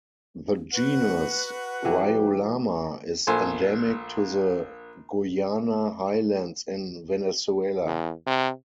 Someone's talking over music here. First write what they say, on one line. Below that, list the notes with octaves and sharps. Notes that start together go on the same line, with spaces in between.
The genus "Riolama" is endemic to the Guiana Highlands in Venezuela.
F#4 B4 F#5
E3 F#3 G4
A#1 A4 C5 G#5
E2
C3